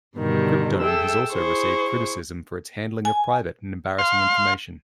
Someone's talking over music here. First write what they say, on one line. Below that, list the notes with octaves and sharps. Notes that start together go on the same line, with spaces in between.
Cryptome has also received criticism for its handling of private and embarrassing information.
G2 B2 D3 D#3 G3
G#4 A4 E5 G5 E6
E4 G#4 C5 C#6
G#5
F5 C6